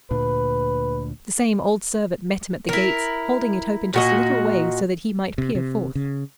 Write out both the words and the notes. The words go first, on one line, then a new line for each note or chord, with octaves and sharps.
The same old servant met him at the gates, holding it open just a little way so that he might peer forth.
D2 A#2 D4 B4
E4 A#4
A#2 F#4 D#5
C3
C3
C#3